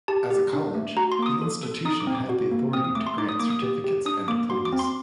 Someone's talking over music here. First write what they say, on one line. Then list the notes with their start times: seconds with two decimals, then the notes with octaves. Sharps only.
As a college, the institution had the authority to grant certificates and diplomas.
0.08 G4 A5
0.31 G4
0.53 D4
0.75 A3
0.97 F#4 A#5
1.12 C6
1.19 A#3 D6
1.26 D#6
1.42 A4
1.63 A4
1.85 D#4 D#6
2.00 D6
2.07 C4
2.15 D6
2.29 F#4
2.51 A#3
2.73 C4 D#6
2.84 D#6
2.95 A3 D6
3.07 C6
3.18 D#4 D6
3.29 D#6
3.40 A#3 D6
3.50 D#6
3.62 G4
3.84 G4
4.06 D4 D#6
4.28 A#3 D6
4.50 F#4 C6
4.65 D6
4.73 C4
4.79 C6